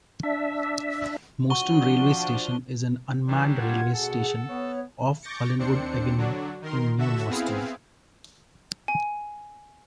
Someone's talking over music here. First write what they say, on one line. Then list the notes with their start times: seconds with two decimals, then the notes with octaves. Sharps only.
Moston railway station is an unmanned railway station off Hollinwood Avenue in New Moston.
0.23 D4 E5
1.50 F3 D4 F#4 C#6 G7
3.27 E3 F#3 G3 D4
3.58 F4 F#5 G#6
3.93 B2 G#4 A4
4.48 B3 C#5
5.23 C#6 D6 G6 A6 A#6 C#7
5.59 D#2 C4 D4 C5 C#7
6.17 D3 F#3 D4 F#4
6.62 D#3 A#4 C6
6.98 D3 F#4 A4 E5 E7
7.29 B3 C4 E4 G#4 F5
8.88 G#5